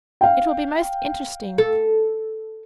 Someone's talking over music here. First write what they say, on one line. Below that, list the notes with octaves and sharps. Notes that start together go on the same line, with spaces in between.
It will be most interesting.
F5 G5
A4